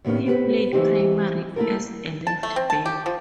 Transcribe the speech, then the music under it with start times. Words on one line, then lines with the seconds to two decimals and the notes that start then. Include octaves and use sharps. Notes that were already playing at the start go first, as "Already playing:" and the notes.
He played primarily as a left back.
0.04 D#2 A2 D#3 B3 C#4
0.26 B3 C4 G4 A4 B4
0.73 E3 F#3 C4 D#4 G4
1.56 A3 E4 F4 A4 A#4
2.27 A5
2.43 A3
2.56 C4
2.70 A5
2.86 G4
3.06 F3